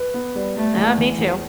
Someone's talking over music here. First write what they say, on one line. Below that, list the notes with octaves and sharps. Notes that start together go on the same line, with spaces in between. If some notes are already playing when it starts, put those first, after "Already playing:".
Uh, me too.
Already playing: B4
B3
G3
G3 A3
E2
E3
E2